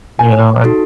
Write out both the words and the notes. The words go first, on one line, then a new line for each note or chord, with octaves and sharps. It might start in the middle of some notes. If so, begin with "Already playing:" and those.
you know, I
G#5
D#4 F#4 A4